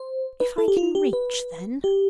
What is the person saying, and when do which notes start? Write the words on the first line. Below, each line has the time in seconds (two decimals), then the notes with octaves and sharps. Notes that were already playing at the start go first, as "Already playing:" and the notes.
"If I can reach, then."
Already playing: C5
0.40 B4
0.58 A4
0.68 G4
0.77 F4
0.95 G4
1.13 B4
1.84 G4